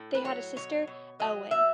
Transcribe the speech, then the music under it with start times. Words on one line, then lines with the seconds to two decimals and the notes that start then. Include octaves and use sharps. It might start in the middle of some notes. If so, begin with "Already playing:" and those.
They had a sister Elwing.
Already playing: A2
0.15 B4
0.24 F#3 C#5
0.56 B2 C#5
0.87 B2
1.20 F#3 D#5
1.51 F#3 E5